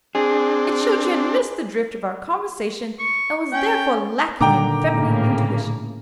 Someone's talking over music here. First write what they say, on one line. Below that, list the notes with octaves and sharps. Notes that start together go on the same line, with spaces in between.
It showed she had missed the drift of our conversation, and was therefore lacking in feminine intuition.
C4 D4 G#4
C#6
C#4 G5
A#2 D3 D#3 G5 A#5 D6
A2 C#3 A#3